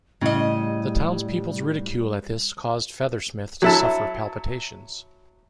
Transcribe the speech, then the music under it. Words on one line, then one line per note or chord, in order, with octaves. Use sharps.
The townspeople's ridicule at this causes Feathersmith to suffer palpitations.
A2 C#3 G3 D#5
F#3 E4 A5